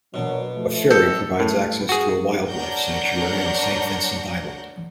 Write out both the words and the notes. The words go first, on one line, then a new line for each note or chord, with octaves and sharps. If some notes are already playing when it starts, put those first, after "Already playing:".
A ferry provides access to a wildlife sanctuary on Saint Vincent Island.
B2 F#3 A#3 D4
F3 A3
A1 G4 A4 G6 C#7
A2
F#4 G#4
D4 A#4 C#5 F#5 G6 A#6